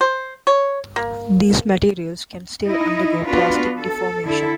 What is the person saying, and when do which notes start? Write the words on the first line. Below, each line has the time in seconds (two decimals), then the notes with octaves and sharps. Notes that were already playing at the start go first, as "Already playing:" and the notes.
These materials can still undergo plastic deformation.
0.01 C5
0.47 C#5
0.96 A#3
2.66 D#4 E4 D#5
3.27 B3 D4 F4 F#4 B4
3.80 A4
4.24 D3 E4 A4